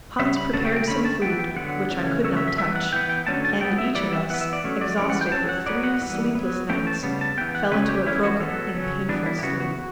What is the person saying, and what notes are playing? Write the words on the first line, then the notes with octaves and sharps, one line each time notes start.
Hans prepared some food, which I could not touch; and each of us, exhausted with three sleepless nights, fell into a broken and painful sleep.
C#3 G3 C#4 E5
B5
C#3 F#3 A3 C#4 A5
G5
G5
D3 A3 C#4 B5
A5
E3 B3 G5
G5
D3 F#3 B3 F#5
C#3 E3 A3 C#4
C#3 F#3 A3 C#4 E5
E5
E5
E3 G3 B3 E5
F#5
E3 B3 G5
G5
D3 F#3 A3 C#4 A5
A5
F#3 B3 G5
E5
E3 G3 B3 D5
E5
E3 B3 F#5
E5
D5
F#3 A3 C#4
D5
E3 G3 C#4 D5
F#5
G5
F#3 C#4 A5
F#5
F#3 B3 D5
F#5
E3 G3 B3
F#3 B3
E3 A3 C#4 G5
A5
C#3 G3 B3
A5
E3 B3 G5
F#5
C#3 F#3 A3 C#4 B4
G4
E3 A3 C#4 E4
F#4
F#3 B3 A4
C#3 F#3 C#4
E3 G3 B3 D4
E4
G4
C#3 E3 B3 F#4
F#4